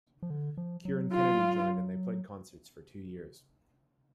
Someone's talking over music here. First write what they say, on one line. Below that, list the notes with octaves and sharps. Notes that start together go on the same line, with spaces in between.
Kieran Kennedy joined and they played concerts for two years.
F3
D3
F3
F#3
F4